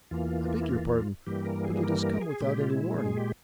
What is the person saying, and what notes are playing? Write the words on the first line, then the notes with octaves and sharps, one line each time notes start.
'I beg your pardon, but it has come without any warning.
E2 E3 A#3 F4
E4
F4
F4
G2 E3 G3 A#3 G4
A#4
G#4
A#4
A#4
G#4
A#2 G#3 G4
F4
E4
G#4
G4